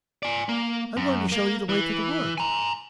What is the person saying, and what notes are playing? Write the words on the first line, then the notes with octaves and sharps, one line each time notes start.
I'm going to show you the way through the woods.
D5 G#5
A#3
F#2
A#3
E3
G#5 A#5